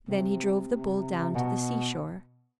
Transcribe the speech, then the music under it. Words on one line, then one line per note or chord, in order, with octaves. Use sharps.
Then he drove the bull down to the seashore.
C3
B2